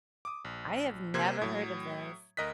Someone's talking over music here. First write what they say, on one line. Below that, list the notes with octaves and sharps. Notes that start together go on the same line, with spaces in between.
I have never heard of this.
D6 D#6
A#1
C3 A#3 C4 C5 C6 G#6
A2 F#3
D2 A#4 D#5 F#6 B6